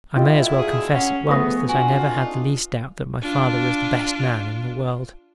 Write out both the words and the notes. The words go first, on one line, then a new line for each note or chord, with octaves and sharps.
I may as well confess at once that I never had the least doubt that my father was the best man in the world.
D2 B2 E4 F4 G4 D#5 G5
G#4
C#4 F#5
F3 A3 B3 G#4 B4 C#6 D#6 A#6
C4 D4 F4 F#4 G#5
D#4
D4 F4